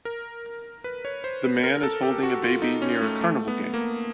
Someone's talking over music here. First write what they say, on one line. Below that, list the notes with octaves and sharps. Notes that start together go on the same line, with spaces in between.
The man is holding a baby near a carnival game.
A#4
B4
C#5
C5
B4
A#4
A4
G4
F#4
F4
D#4
C#4
A3
A3
B3
A#3